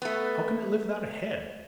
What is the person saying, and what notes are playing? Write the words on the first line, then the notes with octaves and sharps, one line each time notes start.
How can it live without a head?
A3 B3